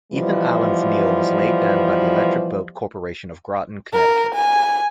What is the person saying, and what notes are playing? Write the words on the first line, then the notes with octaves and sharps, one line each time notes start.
"Ethan Allen"s keel was laid down by the Electric Boat Corporation of Groton, Connecticut.
B2 E3 F3 G3
A#4
G#5